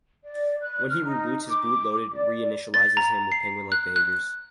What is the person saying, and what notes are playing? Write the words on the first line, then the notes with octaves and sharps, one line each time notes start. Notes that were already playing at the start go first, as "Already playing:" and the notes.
When he reboots, his boot loader reinitializes him with penguin-like behaviors.
D5
F#6
F6
D#4
D6
D5
A6
A#5
C7
F#6
F#6